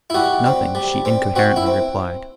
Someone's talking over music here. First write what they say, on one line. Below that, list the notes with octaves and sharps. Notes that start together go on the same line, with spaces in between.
'Nothing,' she incoherently replied.
E4
G3 F#4
C4
G3
C4
C4 F#4
E4
C4